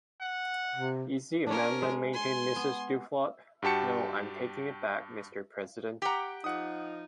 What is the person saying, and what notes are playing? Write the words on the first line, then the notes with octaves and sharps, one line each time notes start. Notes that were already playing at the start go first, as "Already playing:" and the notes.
Is the amendment maintained, Mrs Duflot? No, I’m taking it back, Mister President.
F#5
C3
C#4 D4 A#4 C#5
G#3
G#5 C6
B3
G2 F#4 G4 A5 C#7
G4 F#5 G5 A#5
F3 D#4 F#5 D#6